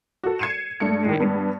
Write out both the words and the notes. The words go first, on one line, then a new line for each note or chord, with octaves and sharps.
Mhm, mhm.
F#4 A4
G#6 C7 C#7 D#7 E7
G2 A3 C#7
A2 D#3
G2 B3